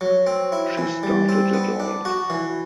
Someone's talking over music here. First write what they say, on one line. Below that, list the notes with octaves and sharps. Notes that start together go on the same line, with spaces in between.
She started it all.
F#3
C4
E4
E3
G3
C4
B3
D4
F#4
E3